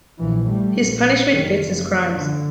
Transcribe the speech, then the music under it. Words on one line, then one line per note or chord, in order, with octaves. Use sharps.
His punishment fits his crimes.
A#1 E3
G3 A3
A#1
F#1 D#3
F#1 F3
D3